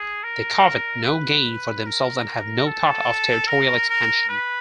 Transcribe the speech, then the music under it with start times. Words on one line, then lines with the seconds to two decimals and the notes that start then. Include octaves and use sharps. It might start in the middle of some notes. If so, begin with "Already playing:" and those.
They covet no gain for themselves and have no thought of territorial expansion.
Already playing: G#4
0.23 A#4
1.05 B4
1.86 A#4
2.67 A4
3.48 A#4
3.89 A#4
4.29 B4